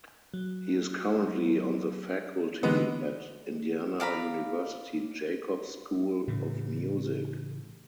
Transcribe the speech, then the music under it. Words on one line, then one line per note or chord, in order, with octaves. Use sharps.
He is currently on the faculty at Indiana University Jacobs School of Music.
F#3
D3 E3 G#3 B3 G4
D5 F5 A#5 B5
A2 C#3 E3